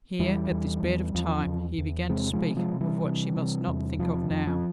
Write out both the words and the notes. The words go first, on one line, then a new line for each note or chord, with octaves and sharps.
Here, at this bed of thyme, he began to speak of what she must not think of now.
E2 E3 G3
E2
E2
E2 F3
E2
E2
C3 G#3 C4
F3 G#3
C3
F3 G#3
C3
E3 G3
C3
C3
E2
C3 F3
F2
F3